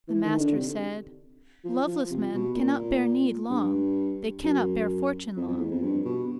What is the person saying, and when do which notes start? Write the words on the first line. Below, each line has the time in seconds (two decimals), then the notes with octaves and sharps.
The Master said, Loveless men cannot bear need long, they cannot bear fortune long.
0.08 E3
0.24 D#3
0.40 D3
0.55 C3
1.64 F3
1.87 F3
2.11 C3
2.34 B2
2.56 A#2
3.50 G2
4.44 F#2
5.37 F2
5.48 F2
5.59 E2
5.71 F2
5.83 G2
6.06 B2